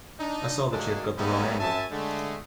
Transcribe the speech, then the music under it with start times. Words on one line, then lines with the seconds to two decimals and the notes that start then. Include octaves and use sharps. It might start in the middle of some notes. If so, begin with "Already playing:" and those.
I saw that she had got the wrong angle.
0.19 D4 D#4
0.70 F#3 G#3 A#3 C#4 D4
1.17 G3 A#3 B3 C#4 D#4 E4
1.59 F#2 C#4 E5 G#5 A5
1.91 D3 G#3 A3